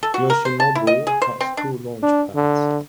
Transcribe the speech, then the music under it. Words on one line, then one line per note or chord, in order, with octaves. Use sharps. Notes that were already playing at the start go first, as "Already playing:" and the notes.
Yoshinobu has two launch pads.
A4
F#4
A#4
C5
A5
E4
D#5
G#4
C5
C4
D4
D4
D3